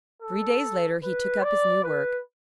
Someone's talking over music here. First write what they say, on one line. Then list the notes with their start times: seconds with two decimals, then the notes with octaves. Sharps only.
Three days later he took up his new work.
0.22 A4
1.04 B4
1.43 D5
1.84 B4